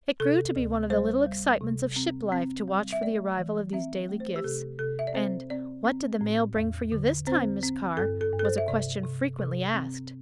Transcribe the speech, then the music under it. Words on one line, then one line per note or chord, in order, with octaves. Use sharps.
It grew to be one of the little excitements of ship life to watch for the arrival of these daily gifts; and "What did the mail bring for you this time, Miss Carr?" was a question frequently asked.
C3 A4
D2
G3 C5
G3
C3
C4
C4
G3
E5
A3 D5
E3
C4 E5
A3
C5
G4
C3 A4
C3 A4
E5
D5
C4 C5
C4 D5
C4
A2
E2
D3
C4 C5
C4
G2 A4
A4
G2
A4
C5
E5
C3 D5
C3
C3
C4